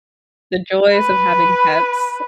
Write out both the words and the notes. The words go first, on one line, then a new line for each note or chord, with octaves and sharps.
the joys of having pets.
B4